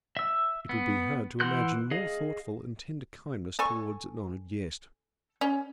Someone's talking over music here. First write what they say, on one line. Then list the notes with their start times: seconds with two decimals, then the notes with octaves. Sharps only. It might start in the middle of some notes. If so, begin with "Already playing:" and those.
It would be hard to imagine more thoughtful and tender kindness towards an honoured guest.
0.17 E5 E6
0.69 B3
1.40 E3 F#5 C6 F#6 G6
1.91 G#4 D#5 F5
3.59 A4 G#5 C#6
5.41 C#4